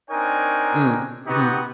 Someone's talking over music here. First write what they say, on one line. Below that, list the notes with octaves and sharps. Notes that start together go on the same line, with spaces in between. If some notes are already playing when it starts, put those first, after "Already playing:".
Mm, mhm.
C4 D4 D#4 A#4 C#5 G#5
B3 C4 D#4 F#4 G4